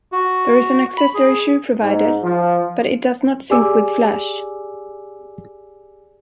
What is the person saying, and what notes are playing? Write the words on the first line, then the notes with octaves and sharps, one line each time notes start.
There is an accessory shoe provided, but it does not sync with flash.
F#4
B5
G#4
G#2
F3
G4 G#4 D5 G#5 D6 E6